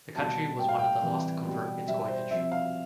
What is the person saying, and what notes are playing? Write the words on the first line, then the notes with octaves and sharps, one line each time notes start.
The country was one of the last to convert its coinage.
B2 G3 A5
A2 G3 G5
F5
G5
C3 E3 G3
B2 G3
B2 G3 E5
C5
C3 F3 E5
F5